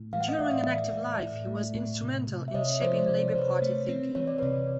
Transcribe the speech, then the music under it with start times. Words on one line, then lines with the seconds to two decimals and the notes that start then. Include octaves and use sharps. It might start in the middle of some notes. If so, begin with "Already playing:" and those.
During an active life he was instrumental in shaping Labour Party thinking.
Already playing: A2
0.13 E3 F5
0.21 F#5
0.28 D#5 F5
0.39 A2 D5 E5
0.67 E3
0.93 A2
1.20 A2
1.47 A3
1.74 A2
2.00 C3
2.27 C3
2.48 E5
2.54 C3 C#5 D#5
2.81 F3 C5 D5
3.08 C3 D5
3.19 C#5
3.29 C5
3.35 C3 B4 C#5
3.62 A3
3.88 C4
4.15 E3 C#5
4.27 D5
4.38 C3 B4 C#5